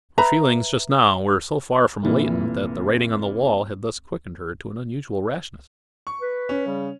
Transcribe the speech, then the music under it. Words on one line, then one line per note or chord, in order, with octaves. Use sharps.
Her feelings just now were so far from latent that the writing on the wall had thus quickened her to an unusual rashness.
B4 E5 A#5 B5
F1 A#2 E3
C#6
B4
C#4
C#3 G3